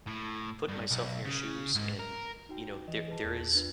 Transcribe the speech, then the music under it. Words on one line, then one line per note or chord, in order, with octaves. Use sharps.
put myself in your shoes, and, you know, there there is
A2
G2
B1
C#3
G#2
A#4
D#4 F#4 G5
E3 D#5
G#4 B4 A5
E2 A#4
D4 F4 B4